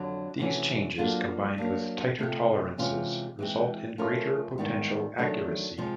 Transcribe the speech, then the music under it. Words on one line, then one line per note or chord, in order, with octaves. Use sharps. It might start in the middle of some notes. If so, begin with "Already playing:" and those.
These changes combined with tighter tolerances result in greater potential accuracy.
Already playing: F2 D3 F#3
C3 E3 A3 C#4 F#4
F#3 A#3 D4 F4 A4
F#3 A#3 D4
C3 F3 A3
C3 E3 G#3 C#4 F4
E3 G#3 C4
F3 A3 C#4 F4 A#4
G#2 D#3 G3 B3 E4
D#3 F#3 A3 D4
C3 F3 G#3